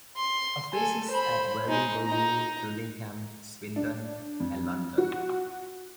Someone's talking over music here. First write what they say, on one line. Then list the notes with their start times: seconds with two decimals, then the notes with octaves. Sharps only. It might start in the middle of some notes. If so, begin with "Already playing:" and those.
Offices at Wellingborough, Dullingham, Swindon and London.
0.17 C6
0.74 A4 G#5
1.10 C5 B5
1.68 G#3 D#4
2.06 D#4 A#5
3.76 D4
4.40 F2
4.98 F#4